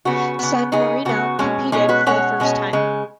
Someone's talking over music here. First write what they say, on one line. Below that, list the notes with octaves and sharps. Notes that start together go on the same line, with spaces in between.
San Marino competed for the first time.
C#3 B3 F#4
C#3 B3
C#3 B3 D#4 G#4
C#3 B3 F#4
B2 G#3 C#4
B2 G#3 C#4 D#4 G#4
F#4 B4
B2 G#3 C#4 C#5 F#5
B2 G#3 C#4
C#3 G#3